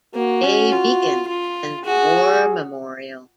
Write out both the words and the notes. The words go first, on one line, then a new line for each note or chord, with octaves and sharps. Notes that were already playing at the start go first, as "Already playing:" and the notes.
Day Beacon and the War Memorial.
A#3 F#4
C#4
F4
F4
F#4 G#4